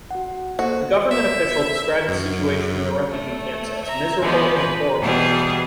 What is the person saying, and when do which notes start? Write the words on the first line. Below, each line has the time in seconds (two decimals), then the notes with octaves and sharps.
A government official described the situation in the refugee camps as "miserable and horrible".
0.11 F#4 F#5
0.59 A#3 F#4 A4 C5
1.11 E5
2.08 F#2
3.09 A3
3.84 E5 A#5
4.21 E3 F3 G#3 B3
4.59 B4
5.00 B2 E3 G3 G#4 A5